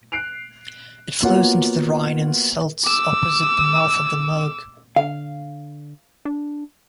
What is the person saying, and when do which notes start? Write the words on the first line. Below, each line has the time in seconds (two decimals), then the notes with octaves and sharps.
It flows into the Rhine in Seltz, opposite the mouth of the Murg.
0.12 F#6 C7 D7 F7
1.22 A#3 B3 F4 F#4 C#5 F#5
2.85 D6 E6
4.96 D3 F5
6.25 D4